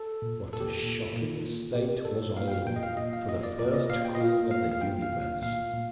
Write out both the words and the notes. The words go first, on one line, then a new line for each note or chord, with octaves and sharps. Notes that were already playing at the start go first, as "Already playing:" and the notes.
What a shocking State was I in for the first Queen of the Universe!
Already playing: A4
A#2
A#2 A4
G4
A4
A#2
A#2
A#2
A#2 G4
A#2 A4
A#2 F5
G5
F5
A#2 G5
D#5
F5
A#2 D#5
F5
A#2 D#5
D5
A#2 D5
D#5
A#2 F5
G5
D#5
A#2 F5
A#2 F5
F5
A#2 G5
F5
A#2
F5
A#2 F5
A#2